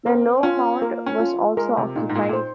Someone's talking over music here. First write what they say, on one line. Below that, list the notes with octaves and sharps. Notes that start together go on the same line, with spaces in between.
The Low Mound was also occupied.
C4 A#4
C#4 F4
A#3 A#4
C#4
F4
G#3 A#4
C3
A#2 D#4
G#2
A#2
A#2
C5